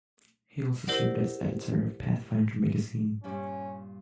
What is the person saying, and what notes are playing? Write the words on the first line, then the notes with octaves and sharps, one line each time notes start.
He also served as editor of "Pathfinder" magazine.
E4 G4 A#4 C5 D5 F#5
G2 A#2 G3 C#4